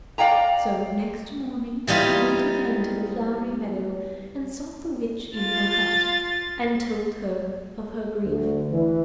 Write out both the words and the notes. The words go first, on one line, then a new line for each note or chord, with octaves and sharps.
So next morning she went again to the flowery meadow and sought the witch in her hut, and told her of her grief.
D5 F5 G5 A#5
E3 G3 D#4 F4
F4 A6
D2
E3